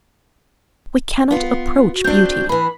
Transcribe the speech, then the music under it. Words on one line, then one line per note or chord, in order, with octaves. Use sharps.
We cannot approach beauty.
B3 F4
F#4
C4 D4 G6
E3 G#4 B4 B5